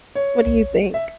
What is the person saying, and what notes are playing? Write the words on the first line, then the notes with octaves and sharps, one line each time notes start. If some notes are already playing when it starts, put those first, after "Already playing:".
What do you think?
C#5
E5